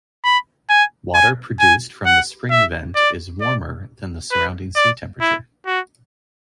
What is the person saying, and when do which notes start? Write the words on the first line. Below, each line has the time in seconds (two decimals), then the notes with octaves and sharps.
Water produced from the spring vent is warmer than the surrounding sea temperature.
0.24 B5
0.70 G#5
1.15 G#5
1.60 G#5
2.06 F#5
2.50 E5
2.96 D5
3.41 D5
4.31 B4
4.76 D5
5.21 E4
5.66 F#4